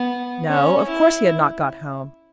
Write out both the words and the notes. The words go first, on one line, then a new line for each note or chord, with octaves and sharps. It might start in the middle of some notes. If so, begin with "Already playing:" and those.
No, of course he had not got home.
Already playing: B3
C#4
E4